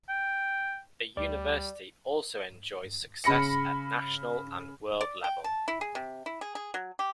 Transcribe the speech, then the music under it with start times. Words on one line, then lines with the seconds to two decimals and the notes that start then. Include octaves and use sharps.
The University also enjoys success at National and World level.
0.09 G5
1.17 D2 G3 D5
3.24 C#3 B5 A#6 C#7
5.01 D5
5.24 G5
5.44 A5
5.68 E4
5.81 G#4
5.95 C3
6.26 E4
6.41 G#4
6.55 G#4
6.74 F#3
6.99 G4